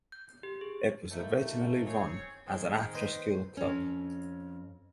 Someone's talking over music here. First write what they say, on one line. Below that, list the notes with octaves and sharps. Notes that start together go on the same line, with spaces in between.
It was originally run as an after school club.
G6
G4
G#4
D#2 A3 G5
C4 G#4 C#5
G#2 D#3 C4 G#4
B4 C5 D#5
F2 C#4